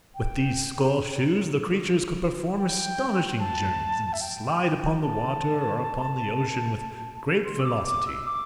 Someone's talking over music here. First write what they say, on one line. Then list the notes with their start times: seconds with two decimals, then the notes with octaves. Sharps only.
With these skull-shoes the creatures could perform astonishing journeys, and slide upon the water, or upon the ocean, with great velocity.
0.15 G5
2.58 G5
3.39 A5
4.13 E5
4.21 G5
5.02 A5
7.46 C6
7.61 E6
7.65 D6
7.86 D6
8.07 E6
8.27 D6